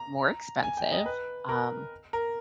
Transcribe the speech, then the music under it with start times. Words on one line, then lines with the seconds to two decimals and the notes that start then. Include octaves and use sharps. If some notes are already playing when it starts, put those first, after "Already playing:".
more expensive, um
Already playing: A#5
0.63 G#5
0.77 G5
0.92 D#5
1.06 B4
1.49 A#4
2.13 A#4